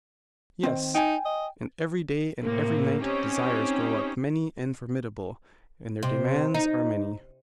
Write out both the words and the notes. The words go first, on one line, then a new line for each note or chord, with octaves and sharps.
Yes; and every day and every night desires grow up many and formidable, and their demands are many.
D#3 C4
D#4 G5 G#5
D#5
A2 C3 A#3 C4
C4 C#4 D#4 G4
C3
D#4